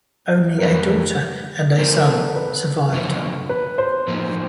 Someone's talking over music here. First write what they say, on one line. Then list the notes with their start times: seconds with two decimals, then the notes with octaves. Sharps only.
Only a daughter and a son survived her.
0.59 A#4
0.62 F2 D3 G3 A#3 B4
1.78 D3 F3 A3 C4 A#4
1.97 A#4
2.06 A4
2.36 B4
2.92 F#2 D3 F3 A3
3.49 B4
3.78 C5
4.08 A2 F3 A#3 D#4